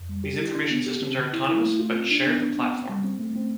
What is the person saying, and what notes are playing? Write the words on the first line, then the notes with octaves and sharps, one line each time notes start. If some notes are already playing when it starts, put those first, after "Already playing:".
These information systems are autonomous, but share the platform.
Already playing: F2
G3
G4
E4
D4
B3
G4
C4
D3
E4
E4
A3
F4
C4
D4
B3
D4
B3
C4
G3
C4
A3
C4